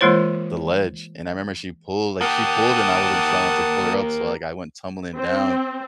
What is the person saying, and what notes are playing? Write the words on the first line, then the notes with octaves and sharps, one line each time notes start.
the ledge, and I remember she pulled like, she pulled, and I wasn't strong enough to pull her up, so, like, I went tumbling down,
E3 G#3 A#3 F4 C5 C#5
A#3 G4 F#5 A5 D#6
C4